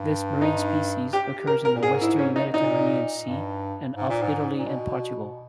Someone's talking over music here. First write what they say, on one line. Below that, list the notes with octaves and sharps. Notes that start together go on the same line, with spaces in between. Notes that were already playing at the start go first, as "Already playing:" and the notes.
This marine species occurs in the Western Mediterranean Sea and off Italy and Portugal.
Already playing: G2
D#4
G4
A#4
A#4
A#2
G#2 G#4
E4
C#4
D#4
A#2 D#4
G2
G#2
A#2
G#2
A#2
B2